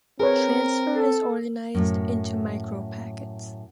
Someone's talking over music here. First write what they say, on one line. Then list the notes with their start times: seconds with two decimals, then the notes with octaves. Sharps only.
Transfer is organized into micropackets.
0.20 C4 G#4 A#4 B4 C#5
0.95 A4
1.74 F#2 A2